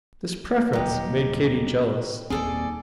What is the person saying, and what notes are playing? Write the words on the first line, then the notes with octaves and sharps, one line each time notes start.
This preference made Katy jealous.
D#1 F#3 D#4 G4
D#1 D#2 C4 G#4 A4 D5